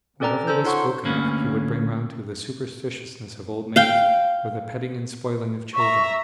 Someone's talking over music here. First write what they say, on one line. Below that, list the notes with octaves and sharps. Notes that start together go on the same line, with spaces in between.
Whatever was spoken of he would bring round to the superstitiousness of old maids, or the petting and spoiling of children.
C4 C#4 A4 D5 G5 A#5
A4 C5 E6 G6
D#4 F4 C#5 F#5 C6 C#6
D2 A#3 C#4 B4
F5 G5
E5 A#5 C#6